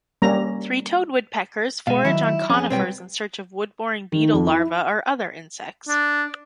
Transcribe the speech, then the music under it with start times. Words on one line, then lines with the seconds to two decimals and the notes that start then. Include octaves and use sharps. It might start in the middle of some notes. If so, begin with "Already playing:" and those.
Three-toed woodpeckers forage on conifers in search of wood-boring beetle larvae or other insects.
0.22 G3 A#3 C#4 A#5
1.87 B2 G#3 F5
2.05 D#3 F#3 E4
2.50 F2 C#4 G#4
2.70 B1 G3 B3 C4 C#5 G5
4.12 D#3
4.33 F2
4.47 E4
5.89 D4